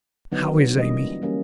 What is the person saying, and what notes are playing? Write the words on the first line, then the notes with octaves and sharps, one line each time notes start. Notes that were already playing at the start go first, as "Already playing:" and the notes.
"How is Amy?"
D3 F#3 B3 D#4
E3 G3 A#3 C#4 D#5
E3 G3 A#3 C#4